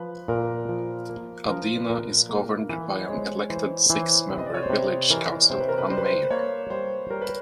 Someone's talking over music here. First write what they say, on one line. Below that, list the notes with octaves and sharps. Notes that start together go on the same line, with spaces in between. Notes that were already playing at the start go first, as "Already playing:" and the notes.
Adena is governed by an elected six member village council and Mayor.
Already playing: F3 B4
A#2 A#4
F3
A#3
F3 A#4
B4
A#2 A#4
A#3
E3 B4
C#5
G#3 C5
E3 C5
E3 C5
C3 B4
D#5
D5
C#5
C5
C3 B4
E3 A#4
C3 C5
B4
A#4
B4
G3 C5
B4
C5
A#3 C#5
G3 C5
G3 A#4
B4